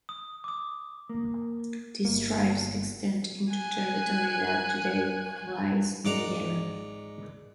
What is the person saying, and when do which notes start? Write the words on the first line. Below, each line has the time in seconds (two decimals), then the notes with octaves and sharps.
These tribes extend into territory that today lies in Yemen.
0.09 D#6
0.44 D6 D#6
1.09 A#3
2.05 G1 A#3
3.53 G#5 F#6
6.05 G#2 D5 F#5 A#5